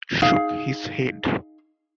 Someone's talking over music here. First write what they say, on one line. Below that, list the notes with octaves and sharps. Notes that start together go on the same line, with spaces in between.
Shook his head.
D#4 G#4 F5